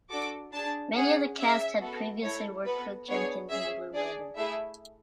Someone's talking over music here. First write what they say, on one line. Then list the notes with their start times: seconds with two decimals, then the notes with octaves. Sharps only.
Many of the cast had previously worked with Jenkins in "Blue Murder".
0.10 D4 F#4 A4 D6
0.53 D4 G#4 A5
0.96 C#4 G#4 F#5
1.38 C#4 G#4 E5
1.80 B3 F#4 A4
2.23 A3 E4 A4 C#5
2.66 B3 F#4 A4 B4
3.09 B3 D4 G#4 C#5
3.51 C#4 G#4 E5
3.94 D4 G#4 D5
4.36 A3 E4 G#4 E5